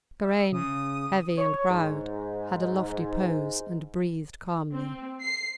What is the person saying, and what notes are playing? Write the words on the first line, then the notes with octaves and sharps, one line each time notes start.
Karain, heavy and proud, had a lofty pose and breathed calmly.
E5
C#3 D#6
C#5
G#2
C4
C7